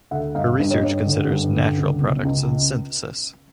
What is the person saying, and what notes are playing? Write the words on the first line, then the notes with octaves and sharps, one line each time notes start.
Her research considers natural products and synthesis.
D2 E5 F#5
G2 D#5 F5
G2
C#5 D#5
G2
D3
G2
D3
C#2
B2
C#2